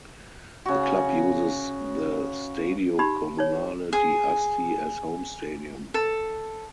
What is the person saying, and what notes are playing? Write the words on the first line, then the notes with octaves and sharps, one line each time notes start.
The club uses the Stadio Comunale di Asti as home stadium.
C#3 F#4
D#4 G4 B5
D#4 C#5
G#4
A4